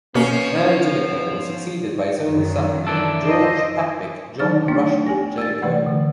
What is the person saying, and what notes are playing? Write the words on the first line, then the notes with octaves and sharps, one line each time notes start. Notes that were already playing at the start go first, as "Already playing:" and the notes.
Earl Jellicoe was succeeded by his only son, George Patrick John Rushworth Jellicoe.
B2 F3 A#3 B3 C#4
F#2 D#3
E3 D4 A4
C5 D#5
D#3 F#3 D#4 C5 F6 A6
A3 B3 D4
A3 G4 G#5 A#6
E6 A6
C3 E3 A3 B4 D5 F#5
D3